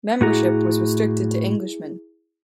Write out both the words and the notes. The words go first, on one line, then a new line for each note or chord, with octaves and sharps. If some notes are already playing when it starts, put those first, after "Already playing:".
Membership was restricted to Englishmen.
A2 E4 F#4 G#4 A#5